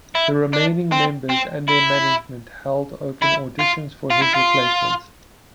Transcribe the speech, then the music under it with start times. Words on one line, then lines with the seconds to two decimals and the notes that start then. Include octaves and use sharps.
The remaining members and their management held open auditions for his replacement.
0.15 E4
0.53 D4
0.92 C4
1.30 C4
1.69 E4
3.22 E4
3.60 F4
4.10 F4
4.22 E4
4.34 F4